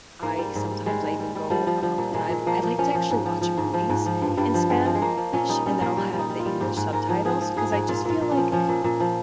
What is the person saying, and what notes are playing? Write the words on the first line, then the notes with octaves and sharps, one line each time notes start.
I sometimes I even go, um, and I I like to actually watch movies in Spanish, and then I'll have the English subtitles, 'cause I just feel, like,
G#2 A#3
G3
G#2
G3
G3 G#3
G#2
G3
G3
F3 G3
F3
F3
A#2
A#2 G#3
A#2
F3 A#3
F3
F3 C#4
F3
G#2
F3
F3
G#2
F3
G#2
F3
G2
G2 G3
F3
G2 G#3
F3
G#3
F3 A#3
F3
A#2 C#4
G3 D#4
G3 C#4
A#2 A#3
G3
G3
D#4
G3
F4
G3
G#2 G4
G#2
G#2 A#4
F3
F3 G#4
F3
G#2 G#4
G#2
A#2 F4
A#2
F4
A#2
C#4
F3
F3 C#4
A#2
A#2
F3